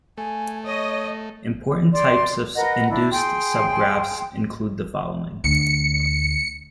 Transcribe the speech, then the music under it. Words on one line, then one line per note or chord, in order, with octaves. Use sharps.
Important types of induced subgraphs include the following.
A3 G#5
C#5 D#5
D5 C6
A#4 B4 D#5 F#5
D4 E4
G#4 G5 C6
D2 C#7